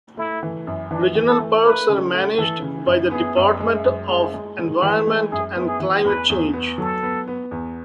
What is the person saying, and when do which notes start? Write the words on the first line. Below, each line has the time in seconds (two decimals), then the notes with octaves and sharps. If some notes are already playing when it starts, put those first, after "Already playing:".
Regional Parks are managed by the Department of Environment and Climate Change.
0.17 A3 E4
0.43 E3
0.67 F#2
0.91 E3 D4
1.15 E3
1.28 A4
1.40 A3
1.65 A3 B4
1.89 C#3
2.14 A3
2.37 E3 A4
2.62 C#3
2.86 F#2
3.11 B3 G#4
3.36 F#2
3.60 G#3
3.84 F#2
4.08 G#3
4.34 G#3
4.59 G#3
4.82 E3
5.07 G#3
5.32 F#2 G#4
5.56 B3
5.67 G#4
5.80 E3
6.04 E2 B4
6.29 E2
6.53 B3
6.78 F#3 A4
7.03 B3
7.28 B3
7.51 E2